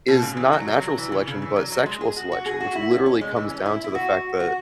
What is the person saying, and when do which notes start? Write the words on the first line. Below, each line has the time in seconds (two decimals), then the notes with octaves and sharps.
is not natural selection, but sexual selection, which literally comes down to the fact that
0.08 B2
0.22 C#3
0.37 E3
0.53 F#3
0.68 F#3
0.83 F#3
0.98 E3
1.12 C#3
1.27 C#3
1.42 E3
1.56 F#3
1.72 F#3
1.86 G#3
2.01 G#4
2.16 F#4
2.32 F#4
2.46 G#4
2.60 F#4
2.75 E4
2.91 C#4
3.06 C#4
3.21 G#3
3.36 E3
3.50 C#4
3.66 E4
3.84 E4
3.95 F#4
4.40 F#4